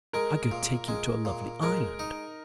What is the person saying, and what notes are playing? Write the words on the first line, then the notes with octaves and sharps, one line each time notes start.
"I could take you to a lovely island."
G#3 A#4
A#2
G#3
A#2
G#3 A#4
D#4